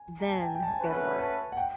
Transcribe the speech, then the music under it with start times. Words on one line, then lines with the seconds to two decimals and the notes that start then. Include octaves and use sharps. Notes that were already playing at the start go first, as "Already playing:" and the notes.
then go to work,
Already playing: G#5
0.20 A#5
0.27 A5
0.35 G#5
0.42 G5
0.55 G5
0.63 A5
0.68 G#5
0.81 A3 C#4 F#4 B4
1.19 A5
1.52 F#5
1.57 G5